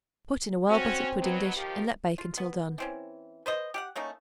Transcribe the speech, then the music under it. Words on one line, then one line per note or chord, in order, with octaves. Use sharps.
Put in a well-buttered pudding-dish, and let bake until done.
C4 C#4 F#4
B2 F#3 B3
D#3 F3 G4
F4
B3
E3 C4 C#4
B4 C5 D#5
G4 F5 F#5
A3 A#3 C#4 D#4